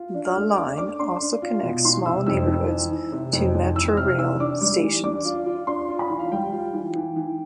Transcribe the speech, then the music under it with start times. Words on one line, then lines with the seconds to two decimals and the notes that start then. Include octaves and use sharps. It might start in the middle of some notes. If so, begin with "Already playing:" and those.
The line also connects small neighborhoods to Metrorail stations.
Already playing: F4
0.14 D4
0.25 F6
0.36 A3
0.56 D4 D6
0.78 D4 D6
0.99 D4 C6
1.21 D4
1.42 F4
1.63 B2
1.85 E3 C6
2.06 C3 E6
2.26 F2 E6
2.48 F2
2.70 E3
2.91 E3
3.12 C3
3.33 F2
3.55 F2
3.76 E3 E6
3.97 C3 F6
4.18 E3 E6
4.40 D4 D6
4.61 G3
4.82 E3
5.04 D4 D6
5.25 F4
5.46 F4
5.67 D4 C6
5.88 F4
5.99 B5
6.10 E3
6.19 F5
6.32 G3 G5
6.52 F4
6.73 E3
6.95 E3
7.16 E3